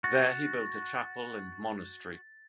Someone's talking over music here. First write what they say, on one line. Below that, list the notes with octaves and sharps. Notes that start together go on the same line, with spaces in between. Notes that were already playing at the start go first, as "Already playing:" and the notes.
There he built a chapel and monastery.
F#4 A6